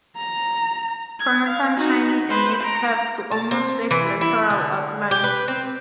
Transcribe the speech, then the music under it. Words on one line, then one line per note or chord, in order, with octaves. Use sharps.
Pronotum shiny and with curved to almost straight lateral outline.
A#5
G#6
F5
D#4 F#4
B4 C5
A#5 D7
A5
C4
E3
E4
D3
G4
B4
C4